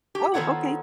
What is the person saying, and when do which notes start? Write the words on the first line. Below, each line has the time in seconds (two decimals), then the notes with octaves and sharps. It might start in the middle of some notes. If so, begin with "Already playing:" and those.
Oh, okay.
0.15 G4
0.34 D#3 F3 B3 A4 C#5 F#5